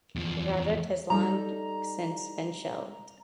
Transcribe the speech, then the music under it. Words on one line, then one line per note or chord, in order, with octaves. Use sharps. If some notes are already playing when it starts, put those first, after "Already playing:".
The project has long since been shelved.
E2 F3
G3 D#4 A4 A#5